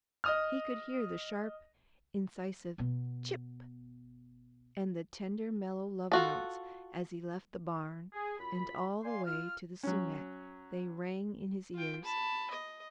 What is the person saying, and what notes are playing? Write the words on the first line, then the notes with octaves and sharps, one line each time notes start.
He could hear the sharp incisive "Chip!" and the tender mellow love-notes as he left the barn; and all the way to the sumac they rang in his ears.
D#5 D#6 F6
B2 B3
F4 F#4 A4
G#4
F#2 F4 B5
D5 F5 G#5 C6
F4 F6
F#3 C#4
F4 G5
A5 B5
D#5